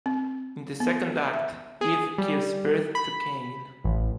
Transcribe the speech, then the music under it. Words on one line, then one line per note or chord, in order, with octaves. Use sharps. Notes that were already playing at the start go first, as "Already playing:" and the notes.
In the second act, Eve gives birth to Cain.
C4
B3
E5
G#4
G3
B5
A1